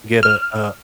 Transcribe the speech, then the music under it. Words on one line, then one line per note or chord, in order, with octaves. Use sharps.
get a a a
F6